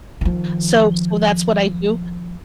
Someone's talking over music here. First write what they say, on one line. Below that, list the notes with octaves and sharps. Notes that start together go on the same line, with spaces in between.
so so that's what I do,
D#3 F3